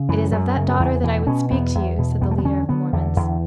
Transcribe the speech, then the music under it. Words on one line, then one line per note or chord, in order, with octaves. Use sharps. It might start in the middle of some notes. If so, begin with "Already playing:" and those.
"It is of that daughter that I would speak to you," said the leader of the Mormons.
Already playing: C#3
F#2 E3
F#2 F#3
C#3
F#3
E2 E3
B2 E3
B2 C#4
E2 B3
E2
B2
E2 B3
A3
B3
D3 C#4
D3 B3
E2 D3
E2